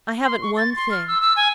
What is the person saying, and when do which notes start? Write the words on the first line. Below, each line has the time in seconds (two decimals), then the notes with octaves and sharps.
I haven't one thing.
0.24 C6
0.42 C#6
0.57 A6
0.76 C6
0.91 F6
1.08 E6
1.21 E6
1.36 G#5